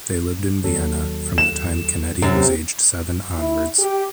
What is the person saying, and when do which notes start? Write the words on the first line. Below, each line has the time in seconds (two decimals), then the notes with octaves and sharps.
They lived in Vienna from the time Canetti was aged seven onwards.
0.64 D#2 F#3 A4
1.38 E7
2.22 F#2 C3
3.38 E4
3.78 G4